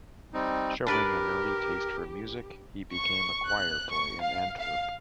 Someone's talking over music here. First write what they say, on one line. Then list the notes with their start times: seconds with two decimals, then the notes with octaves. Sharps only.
Showing an early taste for music, he became a choir-boy in Antwerp.
0.34 G3 C4 D#4
0.87 D4 G4 A#4 B4 D5
2.95 C#6
3.46 F#6
3.92 C#6
4.22 F5
4.60 F5